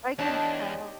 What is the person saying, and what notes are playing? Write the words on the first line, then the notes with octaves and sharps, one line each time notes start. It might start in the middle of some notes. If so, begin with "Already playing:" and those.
I can tell.
E2 D#3 D4 G4 C#5 D5 A5